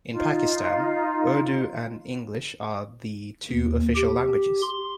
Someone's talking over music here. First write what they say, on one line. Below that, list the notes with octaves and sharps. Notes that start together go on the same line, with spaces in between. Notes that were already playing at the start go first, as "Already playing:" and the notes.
In Pakistan, Urdu and English are the two official languages.
D#4 F4
D#2
G4
C6